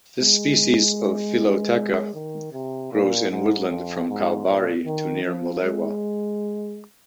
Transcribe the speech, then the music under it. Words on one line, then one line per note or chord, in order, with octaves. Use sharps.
This species of philotheca grows in woodland from Kalbarri to near Mullewa.
G#3
D#3
C3
A#2
G#2
F2
G#2
A#2
D#3
F3
G#3